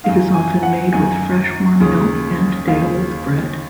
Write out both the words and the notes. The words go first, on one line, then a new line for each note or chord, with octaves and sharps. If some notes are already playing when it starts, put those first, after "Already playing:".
It is often made with fresh warm milk and day-old bread.
F#2 D#3 F5
G#5
F#5
F#2 D#3 G#5
D#2 C#3
D#2 C#3 F5